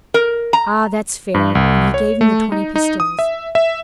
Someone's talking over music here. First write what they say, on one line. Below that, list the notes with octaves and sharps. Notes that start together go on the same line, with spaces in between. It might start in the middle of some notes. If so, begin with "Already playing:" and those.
"Ah! that's fair," and he gave him the twenty pistoles.
A#4
A#5
G2
C2
C#5
A3
D#4
D#4
D#6
E5
E5